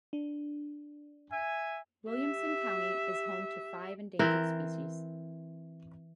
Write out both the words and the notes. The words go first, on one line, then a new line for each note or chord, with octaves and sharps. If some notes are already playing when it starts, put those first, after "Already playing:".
Williamson county is home to five endangered species.
D4
E5 G#5
G4 E5
E3 C4 A#4